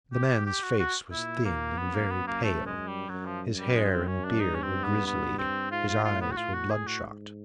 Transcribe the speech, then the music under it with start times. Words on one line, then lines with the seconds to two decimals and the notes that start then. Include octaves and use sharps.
The man's face was thin and very pale; his hair and beard were grizzly; his eyes were bloodshot.
0.13 G4
0.46 G4
0.63 F#4
0.79 F#4
1.12 A#2 E4
1.45 A#3
1.78 F#2 B3
1.94 A#3
2.10 B3
2.27 A#3
2.43 A3
2.66 G#3
2.87 G3
3.09 F#2 F#3
3.26 F3
3.59 G3
3.75 G#3
3.91 C4
4.07 C#4
4.25 D4
4.40 G2 D#4
4.55 C#4
4.62 C4
4.84 B3
5.07 B3
5.39 C4
5.72 G#2 F4
5.88 F4
6.05 A2 F4
6.21 B3
6.32 F#4
6.37 A2 F4
6.54 F#4
6.70 G#4
6.87 F#4
7.03 G#2